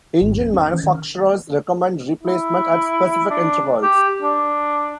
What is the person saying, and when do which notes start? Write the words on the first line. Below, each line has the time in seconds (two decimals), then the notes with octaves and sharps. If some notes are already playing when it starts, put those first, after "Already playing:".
Engine manufacturers recommend replacement at specific intervals.
0.22 G#1
0.38 F2
0.54 C#4
0.72 E3
0.84 D#3
2.23 E4
3.30 D4
3.83 G4
4.22 D4